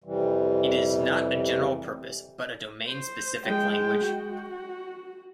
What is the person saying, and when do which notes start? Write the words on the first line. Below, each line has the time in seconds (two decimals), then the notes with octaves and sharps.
It is not a general-purpose, but a domain-specific language.
0.04 F2 C3 E3 G3
2.87 C5
3.45 G#3 G5
4.04 F#4